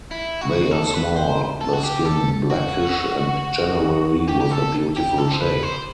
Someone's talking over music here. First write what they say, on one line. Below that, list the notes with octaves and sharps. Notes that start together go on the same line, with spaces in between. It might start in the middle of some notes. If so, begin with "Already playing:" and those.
They are small, the skin blackish and generally with a beautiful shape.
E4
F#4
A4
B4
C5
A4
F#4
G4
A4
F#4
G4
G4
A4
G4
A4
C5
B4
C5